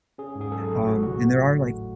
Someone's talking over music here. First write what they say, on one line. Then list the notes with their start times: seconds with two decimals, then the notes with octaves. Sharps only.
um, and there are, like
0.18 C#4 G#4
0.35 G#2
0.41 G#4
0.52 F#3 A4
0.69 G#1
0.86 A3 F#4
1.03 A2 F#4